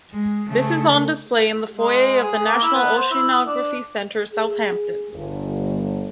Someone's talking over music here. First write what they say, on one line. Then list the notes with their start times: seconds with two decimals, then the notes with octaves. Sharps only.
This is on display in the foyer of the National Oceanography Centre, Southampton.
0.11 G#3
0.47 C#3 A3
1.77 G#3
2.23 G#4
2.46 A#3
2.62 E4
2.74 B3
2.96 C5
3.11 E4
3.47 D4
4.33 G#4
5.13 G1